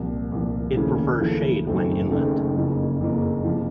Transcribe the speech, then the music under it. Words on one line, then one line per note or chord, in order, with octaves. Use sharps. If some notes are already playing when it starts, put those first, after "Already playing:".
It prefers shade when inland.
Already playing: C2 A#2 F3
C2 A#2 F3
D#2 C#3 F3 A3
D#2 C#3 F3 A3
F#1 F#2 D#3 A3 C4
F#1 F#2 D#3 A3 C4
F#1 F2 C#3 F3 A#3
F#1 F2 C#3 F3 A#3
C3 F3